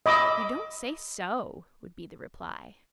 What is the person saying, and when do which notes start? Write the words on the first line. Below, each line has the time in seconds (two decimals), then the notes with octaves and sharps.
"You don't say so," would be the reply.
0.06 D#5 B5 D6 E6